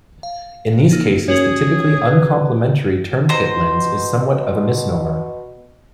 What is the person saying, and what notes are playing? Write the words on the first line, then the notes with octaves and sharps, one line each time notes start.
In these cases the typically uncomplimentary term kit lens' is somewhat of a misnomer.
F5
A#3 D#4
C#4 F#4 G#4 A#4 C#5
B4
B2 C5 A#5